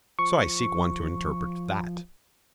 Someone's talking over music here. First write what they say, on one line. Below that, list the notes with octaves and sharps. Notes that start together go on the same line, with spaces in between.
So I seek one to interpret that.
F3 C#6